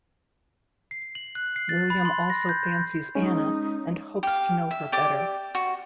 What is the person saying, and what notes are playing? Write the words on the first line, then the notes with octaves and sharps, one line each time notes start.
William also fancies Anna and hopes to know her better.
C7
F#7
F#6
C7
A6
B5
C6
A#6
G6
G#3 C#4 D#4
G4 F5
E5
G4 D5 D6
F#4